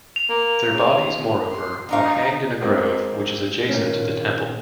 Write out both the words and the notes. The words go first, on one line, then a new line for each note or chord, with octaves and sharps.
Their bodies, moreover, are hanged in a grove which is adjacent to the temple.
F7
A#3
C#3
C6
B3 D4 D#4 F5
G#3 A#3 C4
A#2 D#3 A#3 C#4